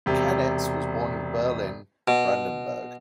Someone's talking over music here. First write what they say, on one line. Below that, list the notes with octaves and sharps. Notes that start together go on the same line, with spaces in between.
Canitz was born in Berlin, Brandenburg.
E1 C3
B2